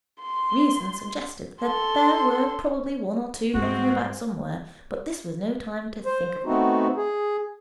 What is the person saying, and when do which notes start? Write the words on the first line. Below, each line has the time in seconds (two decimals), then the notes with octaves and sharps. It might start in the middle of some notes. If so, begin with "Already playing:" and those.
Reason suggested that there were probably one or two knocking about somewhere, but this was no time to think of them.
0.22 C6
1.62 A4 C6
3.54 G#2 G3 G#3 B3 C4 F#4
6.06 C5
6.46 A3 B3 C4 D#4 F#4
6.97 G#4